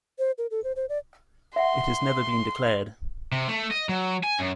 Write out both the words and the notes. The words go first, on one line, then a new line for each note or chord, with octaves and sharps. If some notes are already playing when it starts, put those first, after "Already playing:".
It has never been declared.
C5
A#4
A4
C5
C5
D5
E5 F#5 C6
C3
A3
D#5
F#3
G#5
F#2